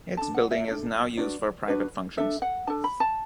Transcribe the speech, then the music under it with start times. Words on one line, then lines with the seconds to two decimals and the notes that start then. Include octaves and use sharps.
Its building is now used for private functions.
0.17 D4 A4 A5
0.34 F#5
0.51 E5
0.68 D4 A4
1.17 D4 F#4 B4 D5
1.68 D4 F#4 B4
2.17 D4 A4 E5
2.42 F#5
2.67 D4 A4 A5
2.84 B5
3.00 A5